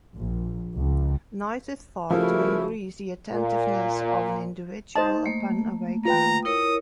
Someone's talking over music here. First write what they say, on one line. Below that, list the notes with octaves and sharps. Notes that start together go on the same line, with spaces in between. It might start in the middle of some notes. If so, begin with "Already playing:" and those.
Noise is thought to increase the attentiveness of an individual upon awakening.
A#1
C#2
C#3 F3 A3 E4 F#4 A#4
A#2
D#4 C5 D#5 A5
A3 A#3
F4 B4 G5 A#5
E4 A#4 C#5 D#6